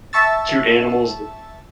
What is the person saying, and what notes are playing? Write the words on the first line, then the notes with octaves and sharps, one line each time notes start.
cute animals tha
E5 A5 C#6 E6 A6